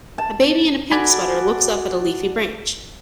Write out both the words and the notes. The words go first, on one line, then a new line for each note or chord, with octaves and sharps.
A baby in a pink sweater looks up at a leafy branch.
A5
F#4 A4 D5 G#5 B5